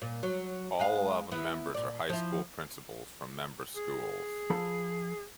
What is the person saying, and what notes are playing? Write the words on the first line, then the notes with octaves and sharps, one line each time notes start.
All eleven members are high school principals from member schools.
A#2
F#3
G#3 B4 F5
B3 E4
A#2 D5
F3 E4
G#4
F3 A4 B5